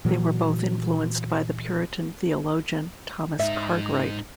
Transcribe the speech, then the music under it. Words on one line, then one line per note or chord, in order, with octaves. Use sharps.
They were both influenced by the Puritan theologian Thomas Cartwright.
A#2 E3 F#3
G#2 D#4 E5